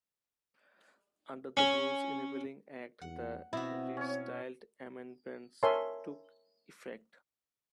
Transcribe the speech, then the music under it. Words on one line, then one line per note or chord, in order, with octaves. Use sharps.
Under the Rules Enabling Act, the restyled amendments took effect.
C#4
E2 F#5
B2 C4 E4 F#4
C#4 C#5
A#4 C#5 E5 G#5 A5 C6